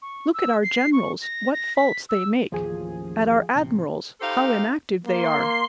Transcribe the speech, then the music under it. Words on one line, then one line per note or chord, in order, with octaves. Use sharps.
Look at our generals, what faults they make; at our admirals, how inactive they are.
C#6
E6
C7
C#6
A#6
A#6
B6
E6
A1 D#2 F3 G#4
A1 C3
D#4 G4 A4 C5 F5
A#3 C6